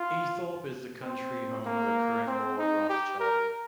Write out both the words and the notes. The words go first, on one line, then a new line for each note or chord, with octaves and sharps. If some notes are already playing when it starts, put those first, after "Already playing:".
Eythrope is the country home of the current Lord Rothschild.
Already playing: F4
C4
A#3
C4
D#4
G4
A#4